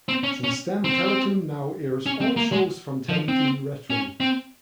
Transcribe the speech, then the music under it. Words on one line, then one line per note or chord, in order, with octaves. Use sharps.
Since then, Teletoon now airs all shows from Teletoon Retro.
C4
C#4
C#4
C4
C#4
C4
A#3
G#3
F3
C4
C#4
C4